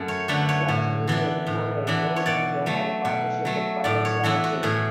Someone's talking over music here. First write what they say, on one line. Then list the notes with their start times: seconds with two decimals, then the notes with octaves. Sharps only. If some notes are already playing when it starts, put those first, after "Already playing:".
Like Speedway before it, Road Ranger has a partnership with Pilot Flying J.
Already playing: F#2 A3
0.08 C#5
0.28 D3 A3 D4 B4
0.49 C#5
0.68 A2
1.07 E3 B3 D4
1.47 A2
1.87 E3 B3 D4
2.16 C#5
2.26 B2 D5
2.66 F#3 A3
3.05 B2
3.45 F#3 A3
3.84 A2 D5
4.05 C#5
4.23 E3 B3 D4 E4
4.44 F#4
4.63 A2 G#4